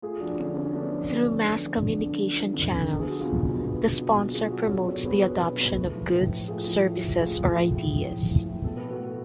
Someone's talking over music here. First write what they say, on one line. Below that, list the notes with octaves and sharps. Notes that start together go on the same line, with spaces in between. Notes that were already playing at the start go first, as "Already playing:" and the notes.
Through mass communication channels, the sponsor promotes the adoption of goods, services or ideas.
A3 F4 G#4
F3 D4 F#4
D3 C#4
D3 C#4
A3 B3 D4
F3
D3
D3
A3
F3
D3
D3
A3
F3
D3
D3
B3 A4
G#4
F#3 F#4
F4 G#4
B2
B2
B3
F#3
B2
B2
B3 F4 G#4
F#3 D4 F#4
B2 A4 C#5
B2 A4 C#5
B3 G#4 B4
F#3
B2
B2
A3
F3
A2
A2
A3 F4 G#4
F3
A2
A2
A3 F4 G#4
F3
A2
A2
A3
F3
A2
A2
B2 A4
A3 B4
F#4 A4
A3